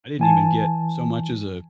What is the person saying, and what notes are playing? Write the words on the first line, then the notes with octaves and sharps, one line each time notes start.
I didn't even get so much as a,
E3 G#5 A5